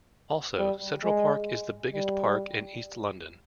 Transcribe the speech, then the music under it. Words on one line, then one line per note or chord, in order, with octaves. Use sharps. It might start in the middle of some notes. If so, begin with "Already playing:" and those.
Also central park is the biggest park in east London.
G3
G#3
G3